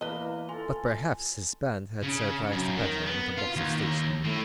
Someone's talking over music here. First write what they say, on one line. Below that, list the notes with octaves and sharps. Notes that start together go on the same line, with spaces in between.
But perhaps his band had surprised a pedlar with a box of stationery.
E2 A#3 B4 D#5 G7
F4 A4 G#5 C6
C#3
F#2
D#3
B3
F4
D#2
A2